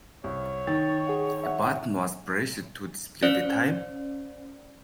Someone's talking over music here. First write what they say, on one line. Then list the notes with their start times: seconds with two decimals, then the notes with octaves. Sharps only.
A button was pressed to display the time.
0.24 C2 C#5
0.67 D#3 D#4 A6
1.07 G#4 F#5
1.44 E5 F#5
3.23 C#4 C5 D5